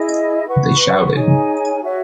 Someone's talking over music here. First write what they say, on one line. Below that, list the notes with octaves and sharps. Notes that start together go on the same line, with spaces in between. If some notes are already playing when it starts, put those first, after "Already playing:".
They shouted.
Already playing: E4 G#4 D#5
B4 F#5 C#6
D#4 G#4 C#5 G#5
F#4 C#5 E5